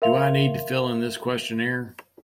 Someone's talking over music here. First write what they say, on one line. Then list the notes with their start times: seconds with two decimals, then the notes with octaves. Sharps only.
Do I need to fill in this questionnaire?
0.02 A#4 E5 F5 C6 F7